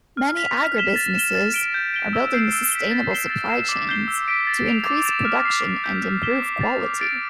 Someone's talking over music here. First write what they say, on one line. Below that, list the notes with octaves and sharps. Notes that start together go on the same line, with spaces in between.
Many agribusinesss are building sustainable supply chains to increase production and improve quality.
F6
B6 F7
F6
B6 E7 G7
A6
E7 G7
A6
D7 G7
G6
D7 G7
E6
G6 C7
E6
B6 D7 G7
A6
C7 E7 G7
A6
C7 E7
D6
G6 C7 G7
E6
B6 D7
A6
D7 F7
D6
A6 E7
F6
C7 F7
D6
G6 B6
F6
B6 E7 G7
D6
A6 C7 F7
D6
A6 D7